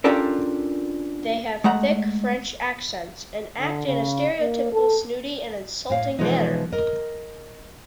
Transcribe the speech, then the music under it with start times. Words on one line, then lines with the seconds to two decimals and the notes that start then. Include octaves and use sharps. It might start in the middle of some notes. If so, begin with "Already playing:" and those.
They have thick French accents and act in a stereotypical snooty and insulting manner.
0.04 C#4 D4 F4 G4 A4 A#4
1.64 G#3 A3 F#5 A#5
3.57 D3
3.87 C#3
4.40 A#3
4.72 A4
5.90 A2 F5
6.19 B2 E3 F3 G#3 B3 D#4
6.72 A#4 D#5